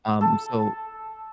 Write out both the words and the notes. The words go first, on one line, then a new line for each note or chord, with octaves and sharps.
um, so
A4